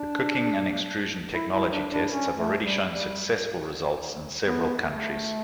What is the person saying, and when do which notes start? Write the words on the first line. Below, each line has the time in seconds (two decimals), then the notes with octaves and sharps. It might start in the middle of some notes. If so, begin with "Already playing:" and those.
The cooking and extrusion technology tests have already shown successful results in several countries.
Already playing: D4
1.33 E4
1.53 E4
1.72 D4
1.92 D4
2.12 C#4
2.37 A3
2.64 G3
2.91 G3
4.47 B3
4.86 A3